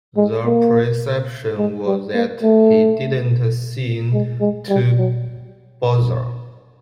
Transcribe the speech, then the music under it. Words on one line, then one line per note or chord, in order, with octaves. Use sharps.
The perception was that he didn't seem to bother.
G#3
A#3
G#3
G3
A#3
A3
G#3
G#3
G3
F#3